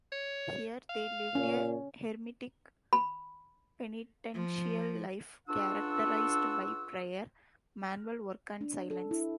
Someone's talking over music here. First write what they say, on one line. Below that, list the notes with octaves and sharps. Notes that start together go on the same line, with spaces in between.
Here they lived a hermitic penitential life characterised by prayer, manual work and silence.
C#5
F5
A#2 C#4
B5
F3
C#2 D4 F4 F#5 C#6 E6
D4
A4
E4